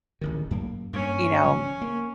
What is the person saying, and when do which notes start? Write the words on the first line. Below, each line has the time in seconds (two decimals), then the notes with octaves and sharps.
you know,
0.21 D1 A1 D#3
0.51 F#2 A#3
0.93 G2 A#3 C#4 C#5
1.44 C#3 F3 G3
1.82 A#3